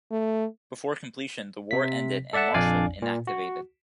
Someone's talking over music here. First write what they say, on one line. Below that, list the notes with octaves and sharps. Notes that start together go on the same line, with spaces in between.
Before completion, the war ended and "Marshall" inactivated.
A3
C3 B6
A4 D5 E5 F#5 A5
A#1 F2 D4 D5 F5 G#5
A#2
F#4